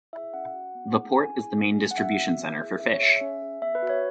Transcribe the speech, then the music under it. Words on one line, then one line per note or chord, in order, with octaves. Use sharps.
The port is the main distribution center for fish.
E4 G#4 E5
C#4 F#5
F#4
B3
E4 G#4
C#4 G#5
E4 G#4
C#4
G#4
F#5
C#4 E5
F#4
B3
E4 G#4
C#4 E5
C#5
G#4 E5
C#4
G#4
B3 E5
B4
F#4
C#5